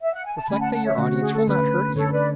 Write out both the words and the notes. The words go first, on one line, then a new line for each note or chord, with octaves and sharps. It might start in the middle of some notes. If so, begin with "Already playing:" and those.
Reflect that your audience will not hurt you.
E5
F#5
G#5
A5
D3 A3 C#4 G#5 B5
F#5 A5
F#5 A5
C#5 E5
D3 A3 C#4 F#4
G#4
A4
D3 A3 C#4 B4
D3 A3 C#4 A4 C#5
B4 D5